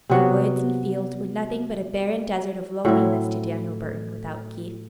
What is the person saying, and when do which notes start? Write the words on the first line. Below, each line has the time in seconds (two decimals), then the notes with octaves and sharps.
The woods and fields were nothing but a barren desert of loneliness to Daniel Burton--without Keith.
0.10 C3 F#3 B3 F#4
2.85 A2 F#3 C4 E4